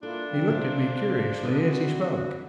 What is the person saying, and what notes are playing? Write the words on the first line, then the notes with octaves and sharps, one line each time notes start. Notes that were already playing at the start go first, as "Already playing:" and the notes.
He looked at me curiously as he spoke.
A#3 D4 E4 F4 A4
F3 G3 C4
C3 C5 F5
D3 C4 D#4
G3 E4 F#4